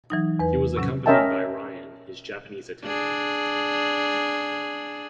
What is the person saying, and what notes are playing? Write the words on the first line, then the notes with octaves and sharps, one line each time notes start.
He was accompanied by Ryan, his Japanese attendant.
E3 F#3 D#4
E2 B4
A2 C3 F#3 C#4
C#4 A#4 D#5 E5 G5 A5
D4 G#4